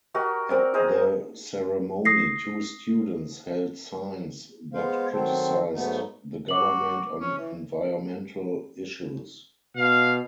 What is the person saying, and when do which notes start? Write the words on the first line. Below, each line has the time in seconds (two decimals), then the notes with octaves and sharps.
At the ceremony two students held signs that criticized the government on environmental issues.
0.14 F#4 G4 A#4 D#5
0.50 C4 A#4 D5
0.74 G#4 A#4 C5 D#5
2.05 D#6 A#6 C7
4.74 G#3 B3 C5 F5
5.12 D#3 F#3 C4 A4 C5
5.74 G#2 F#3 A3 B3 D#4
6.48 F#4 D6 F#7
7.20 C#4
7.38 E3
9.77 B2 F5